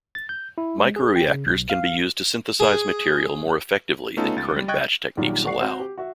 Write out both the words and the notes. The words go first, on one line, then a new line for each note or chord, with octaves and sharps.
Microreactors can be used to synthesise material more effectively than current batch techniques allow.
A6
G6
E4
G#3
G#4
G5
C#3
B1
F5
G#4
A3 B3 C#4 D#4 F4 A4
C#2 A6
G3
D#5 G5 C#6 F#6 G#6
A#1 A#2 D#3 F#3 G3
E1 D5 F#5 C#6 C7
C4 F#4 C5
G4
F#4 E5